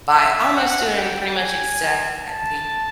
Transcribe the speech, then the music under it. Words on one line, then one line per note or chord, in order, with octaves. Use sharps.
by almost doing pretty much exactly
E5
F#5
G5
G#5
A5